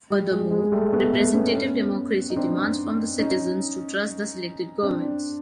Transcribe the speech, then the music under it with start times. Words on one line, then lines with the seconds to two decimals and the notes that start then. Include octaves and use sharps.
Furthermore, representative democracy demands from the citizens to trust the selected governments.
0.10 G3
0.31 G#3
0.51 G#3
0.72 G3 A3
0.92 A3 B3
1.13 A3 B3
1.33 B3 C#4
1.54 B3 C#4
2.30 D#4
2.36 C4 D4
3.19 C#4 D#4
4.83 C4 D4